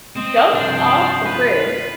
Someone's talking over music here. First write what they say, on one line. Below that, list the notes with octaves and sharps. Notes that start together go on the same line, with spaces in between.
jumps off the fridge,
C4 D#5
G2 C3 F3 D4 C5
F4 B4